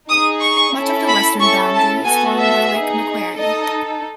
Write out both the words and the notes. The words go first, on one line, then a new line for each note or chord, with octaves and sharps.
Much of the western boundary is formed by Lake Macquarie.
D#4 G#4 D#6
C#6
C#4 E4 A4
B5
C#4 E4 A4 C#6
A5
B3 F#4 A4 G#5
E5
D#4 G#4
D#4 A4 D#5